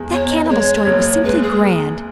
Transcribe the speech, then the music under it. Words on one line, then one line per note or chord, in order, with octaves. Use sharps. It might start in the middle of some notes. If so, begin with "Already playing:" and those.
That cannibal story was simply grand.
Already playing: E2 G#3
E2 C#5
D#5
B4
G#3 C#5
C#5
F#1
C#5
G#3 B4
G#4